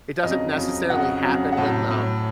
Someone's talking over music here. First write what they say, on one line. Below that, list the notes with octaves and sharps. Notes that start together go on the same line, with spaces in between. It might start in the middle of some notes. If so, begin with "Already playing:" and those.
It doesn't necessarily happen when, um,
F2 C#3 F#3 D#5
F2 C#3 F#3
F2 C#3 F#3 F#5
F2 C#3 F#3
F#5
A2 F#3 A5
A2 F#3